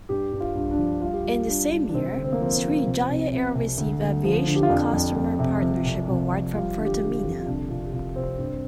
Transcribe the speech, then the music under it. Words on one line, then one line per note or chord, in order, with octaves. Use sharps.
In the same year Sriwijaya Air received Aviation Customer Partnership Award from Pertamina.
G2 G4
G2
F4
G2
D4
F3
G3 F4
G4
G3 F4
G3 D4
G3
D4
C3 C4
D2
C4
A#3
F3 C4
C4
F3
C2
C2
C3
C2
D2
D2
F3
D3
G4
F4
F2 D4
F2
F2
C3
F3
C2
C2
F3
G3 F4
D3
G4
D3
F4
F2
F4
C2 D4
C2 F4
G4
C2 F4
C2 C4
G2